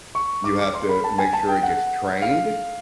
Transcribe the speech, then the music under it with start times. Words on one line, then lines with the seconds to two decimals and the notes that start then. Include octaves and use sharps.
you have to make sure it gets trained,
0.15 C#6
0.44 D6
0.59 D6
0.74 C6
0.89 B5
1.04 A5
1.18 G#5
1.33 A5
1.48 G5
1.63 F#5
2.22 F5